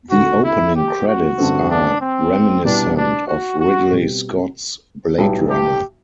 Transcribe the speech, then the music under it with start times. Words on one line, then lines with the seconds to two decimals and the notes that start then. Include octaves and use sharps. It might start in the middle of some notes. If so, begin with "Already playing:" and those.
The opening credits are reminiscent of Ridley Scott's "Blade Runner".
0.11 D2 D3 A3 D4 F#4 A4
0.44 E4
0.75 G4
1.07 F#4
1.38 G2 D3 A3 C4
1.70 D4
2.01 C4
2.65 C2 B2 G3 B3 D4
2.97 D4
3.27 F#4
3.60 F#4
3.92 B2 G3 C4 G4
5.18 B1 A2 G3 B3
5.49 G4